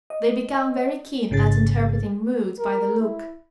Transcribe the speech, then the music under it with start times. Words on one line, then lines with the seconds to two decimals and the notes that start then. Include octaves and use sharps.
They become very keen at interpreting moods by the look.
0.10 D#5
1.30 A1 G#2 C#3 G#4 A6
2.58 A#4
3.00 E4